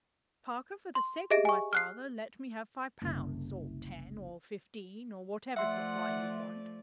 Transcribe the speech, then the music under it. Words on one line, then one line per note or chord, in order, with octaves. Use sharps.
Parker, for the sake of my father, let me have five pounds,' or ten, or fifteen, or whatever supply you want.
C6
G4 G#4 D#5 E5 A#6 D7
G#5 C#6
F6 F#6 C7
F#1 C2
F3 A3 D5 E5 F#5 C6